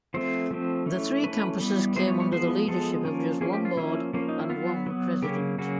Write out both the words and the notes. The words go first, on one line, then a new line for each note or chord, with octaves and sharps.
The three campuses came under the leadership of just one board and one president.
F3 A3 C4 C5
F3 A3 C4
E3 A3 C#4
E3 A3 C#4 B4
E3 G3 B3
E3 G3 B3 C5
C#5
C#5
F3 G#3 B3 C5
F3 G#3 B3 A4
F3 A#3 C#4
F3 A#3 C#4 G#4
G4
F4
F3 A#3 C#4 E4
F3 A#3 C#4
D#4
E4
F#3 B3 F4
F#3 B3
C#3 F#3 A#3 C#4 G4
C#3 F#3 A#3 C#4 F#4